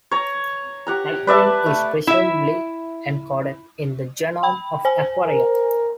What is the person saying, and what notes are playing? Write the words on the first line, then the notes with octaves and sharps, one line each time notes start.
Aequorin is presumably encoded in the genome of Aequorea.
C#5 A#5
G4 F#5 A#5
B4 D5 E5 A5
A3
E4 E5
G5 B5
C5 G#5
A#4